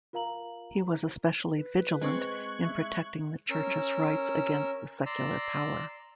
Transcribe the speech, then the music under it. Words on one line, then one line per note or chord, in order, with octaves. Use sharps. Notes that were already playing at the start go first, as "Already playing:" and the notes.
He was especially vigilant in protecting the Church's rights against the secular power.
F4 A#4 F5 A#5 F#7
B4
G#3 C4 C#6 F#6 G#6
E5
C#4 A#4 E6
D5 A#5 C6 E6